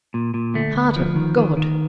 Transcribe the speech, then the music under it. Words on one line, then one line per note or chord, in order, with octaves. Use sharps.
Heart of God!
A#2
A#2
D2 A3
D2
F3
D#3
D#3
D#3